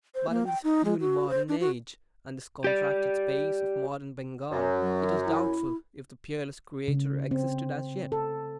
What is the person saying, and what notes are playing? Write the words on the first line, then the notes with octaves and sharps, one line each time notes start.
But in this puny modern age, and this contracted space of modern Bengal, it was doubtful if the peerless creature existed as yet.
C5
A#3
G5
D#4
G#3
F#4
C5
D4
F#4
G4 D5
F#2
F#3
E4
C#3
C4
A4